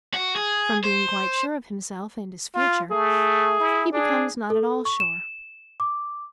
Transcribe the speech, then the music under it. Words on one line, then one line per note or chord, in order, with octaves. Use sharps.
From being quite sure of himself and his future he becomes not at all sure.
F#4
G#4
C5
F4
A3 G#4
E4
D4 G#4
A4
C#6
E7
D6